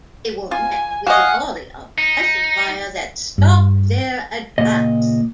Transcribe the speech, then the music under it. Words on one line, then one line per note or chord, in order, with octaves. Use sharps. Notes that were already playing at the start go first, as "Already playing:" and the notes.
They were met with a volley of rifle-fire that stopped their advance.
F4 G#5
F#4 D#5 F5 F#5 G#5
D#4
G2
C#2 A#2 D#5